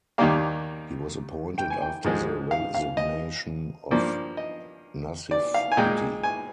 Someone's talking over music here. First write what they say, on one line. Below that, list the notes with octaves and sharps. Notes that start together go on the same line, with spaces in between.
He was appointed after the resignation of Nassif Hitti.
D#2 D#3 G3 A#3 F5
G5
G#5
G5
G#2 F3 G#3
F5
F5
D#5
G2 F3 A#3 D5
D#5
D5
F5
G#5
A#2 G#3 G5
G#5